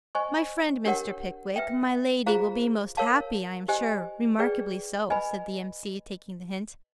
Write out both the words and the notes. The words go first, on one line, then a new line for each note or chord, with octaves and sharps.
'My friend Mr. Pickwick, my Lady, will be most happy, I am sure, remarkably so,' said the M.C., taking the hint.
C5 D#5 G#5 C#6
D4 G4 A#4 C#5 F#5
B4 E5 G5
F4 G#4 C5 F5 A#5
A#4 C#5 F5 A5
G4 C5 D#5 G#5
G#4 B4 D5 G5
B4 D#5 G#5 B5